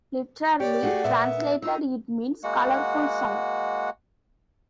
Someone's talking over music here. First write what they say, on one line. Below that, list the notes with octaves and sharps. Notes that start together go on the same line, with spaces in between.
Literally translated it means "colorful sound".
G4 C#5 D5
A3 F#4 G#4 F#5
A#2 B3 E5
D4
D#4 F4 E6
G#3 A#3 F#4 F#5